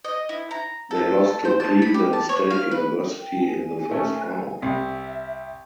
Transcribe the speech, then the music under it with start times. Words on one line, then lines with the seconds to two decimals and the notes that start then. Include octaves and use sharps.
They lost to Cleveland State University in the first round.
0.05 D#5
0.29 E4
0.51 A#5
0.91 A4
1.45 C5
1.60 A5
1.82 B5
1.94 G4
2.13 A5
2.29 C#5
2.50 F5
2.71 B4
3.20 G5
3.39 G#5
3.91 A3 C#4
4.62 C2 E5